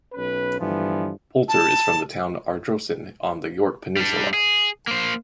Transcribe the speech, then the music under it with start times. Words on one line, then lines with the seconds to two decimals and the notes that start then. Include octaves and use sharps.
Poulter is from the town Ardrossan on the Yorke Peninsula.
0.13 B1 C#4 B4
0.59 G2 D3 E3 F3 B3
1.48 A5
3.97 G3 D4
4.34 G#4
4.87 A#3 C5